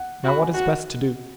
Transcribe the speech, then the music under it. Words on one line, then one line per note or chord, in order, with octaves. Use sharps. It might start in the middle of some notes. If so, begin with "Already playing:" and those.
Now what is best to do?
Already playing: F#5
F#4 B5
G#5
F#4 F#5